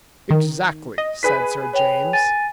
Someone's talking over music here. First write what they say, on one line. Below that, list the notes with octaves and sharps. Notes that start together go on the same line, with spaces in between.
"Exactly," said Sir James.
D#3
D#5
G#4 B4 B6
C#5 G5 F7
G#5 A6 D#7